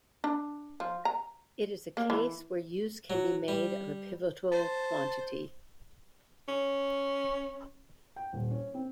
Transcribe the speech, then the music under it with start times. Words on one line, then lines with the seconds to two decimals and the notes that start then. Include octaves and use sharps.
It is a case where use can be made of a pivotal quantity.
0.24 D4
0.80 F3
1.05 A#5
1.97 A#3
2.10 E3
3.10 F#3
3.48 G3
4.52 C5 A5
6.49 C#4
8.16 G5
8.33 D#1
8.51 C#4
8.74 C4